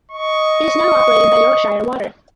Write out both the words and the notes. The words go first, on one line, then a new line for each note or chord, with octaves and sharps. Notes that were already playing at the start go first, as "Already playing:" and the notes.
It is now operated by Yorkshire Water.
D#5 C#6